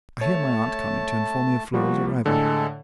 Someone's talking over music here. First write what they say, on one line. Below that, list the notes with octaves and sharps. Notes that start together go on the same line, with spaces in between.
I hear my aunt coming to inform me of Flora's arrival.
A3 C#5 A5
F3 G3 A#3 F#4
A2 D3 G#3 A4